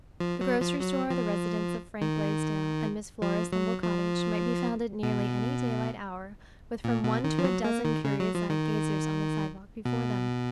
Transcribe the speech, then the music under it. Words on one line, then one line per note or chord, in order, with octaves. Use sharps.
The grocery store, the residence of Frank Blaisdell, and Miss Flora's humble cottage might be found at nearly any daylight hour with from one to a dozen curious-eyed gazers on the sidewalk before them.
F3
F#3
F3
F#3
F3
D#3
F3
F#3
F3
B2
A#2
B2
D#3
F3
F#3
A#3
D#3
C#3
F#3
F3
D#3
B2